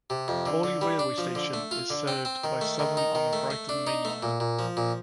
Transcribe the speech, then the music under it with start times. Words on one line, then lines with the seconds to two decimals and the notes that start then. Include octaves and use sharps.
Horley railway station is served by Southern on the Brighton Main Line.
0.10 C3
0.28 F2
0.46 D3
0.63 D3
0.81 G3
0.99 D4
1.18 F3
1.35 D3
1.54 A3
1.71 F4
1.90 D3
2.08 C4
2.25 C4
2.44 D#3
2.61 A3
2.79 D#3
2.97 D#4
3.15 D#3
3.33 A3
3.50 A3
3.69 D4
3.87 D#4
4.05 A3
4.23 A#2
4.40 A#2
4.59 F3
4.77 A#2